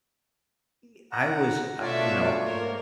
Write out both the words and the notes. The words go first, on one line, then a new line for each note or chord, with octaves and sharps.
e I was, uh, you know,
F#5 A#5
B2 A3 D4 F4 C#5 D5 E5
G#2 A#3 A#4